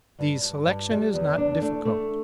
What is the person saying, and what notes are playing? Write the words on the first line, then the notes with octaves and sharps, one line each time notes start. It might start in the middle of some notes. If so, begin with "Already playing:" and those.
The selection is not difficult.
G2
G2
G2
G3
E2
D4
A3
A3